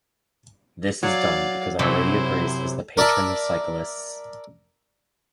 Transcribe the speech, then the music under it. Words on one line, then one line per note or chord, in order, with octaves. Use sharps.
This is done because Our Lady of Grace is the patron of cyclists.
F#3 D5 F5
F#2 C3 F#3 E4 C5
A#4 D5 E5 A5